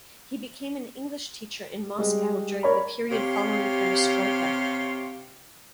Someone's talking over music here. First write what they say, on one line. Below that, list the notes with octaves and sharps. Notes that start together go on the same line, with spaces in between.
He became an English teacher in Moscow during the period following perestroika.
G3 G#3
A#4 C#5 D5 A#5 B5
C3 G4 C#5 F5 C6